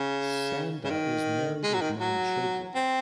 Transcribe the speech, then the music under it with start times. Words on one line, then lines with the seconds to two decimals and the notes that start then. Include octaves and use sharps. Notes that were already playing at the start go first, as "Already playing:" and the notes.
Sanda is married with nine children.
Already playing: C#3
0.84 C#3
0.90 D#3
1.63 G#3
1.74 F#3
1.82 D#3
2.00 F#3
2.75 C4